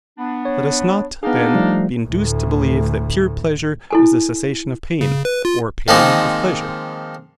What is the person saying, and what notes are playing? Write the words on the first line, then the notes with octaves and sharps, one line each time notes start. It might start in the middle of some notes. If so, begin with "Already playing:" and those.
Let us not, then, be induced to believe that pure pleasure is the cessation of pain, or pain of pleasure.
B3 D4
C#5
B3 D4 D#4 G#4 F5
F3 G3 A3
D2 A2
E4 A4 G#5
C#3
B4
F4
D#3 F3 G#3 A#3 C4 D#4